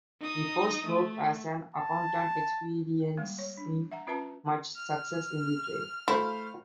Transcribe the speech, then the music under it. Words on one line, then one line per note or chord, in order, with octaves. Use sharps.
He first worked as an accountant, experiencing much success in the trade.
D#4 D#6
A3
A5
G3 G#3 A#3
C#5
D4
E5 F#5 A#5
C#4 F4 B4 E5 A5 A#5
F6
A3 E4 C5 F5